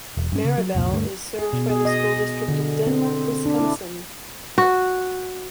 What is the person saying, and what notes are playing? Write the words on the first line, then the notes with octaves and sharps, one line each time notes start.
Maribel is served by the School District of Denmark, Wisconsin.
E1
G2 C#4
C#3
F#3
C2 F2 A#2 F3
D2 G2 F#3 A3
G#4
B2
G#4
D#5
D3
C4
D4
E4
F#4